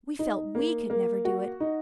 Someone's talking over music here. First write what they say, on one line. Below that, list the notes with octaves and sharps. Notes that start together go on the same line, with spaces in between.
We felt WE could never do it.
D#4
A#3
A#3
F#4
D#4